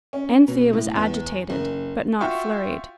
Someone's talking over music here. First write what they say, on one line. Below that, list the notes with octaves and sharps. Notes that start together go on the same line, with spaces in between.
Anthea was agitated, but not flurried.
C#4
B2
A2
E2
F#1
F4 F#4 E5 F5 G5 C#6